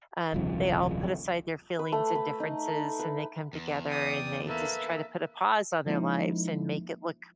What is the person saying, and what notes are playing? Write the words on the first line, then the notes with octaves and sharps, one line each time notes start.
um, they all put aside their feelings, and differences, and they come together, and they just try to put a pause on their lives, and make it look
D#1 C2 C#3 F3
B4
A3
B4
D#4
B4
E2
D5 G5 D#6
A#3 A4 B4 E5
F3 G#3 A#3 C#4 D#4 E4